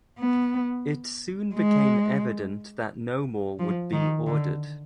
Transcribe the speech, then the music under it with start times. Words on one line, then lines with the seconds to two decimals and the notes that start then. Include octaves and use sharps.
It soon became evident that no more would be ordered.
0.19 B3
1.55 G#3
3.59 F3
3.92 D#3
4.27 D3